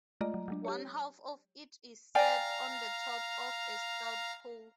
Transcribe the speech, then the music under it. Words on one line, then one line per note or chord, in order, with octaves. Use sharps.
One half of it is set on the top of a stout pole.
G#3 A3 F4 D5 D#5 A#5
F#3
F#3 G#3 D4
G4 C#5
D5 F5 G5 G#5 A#5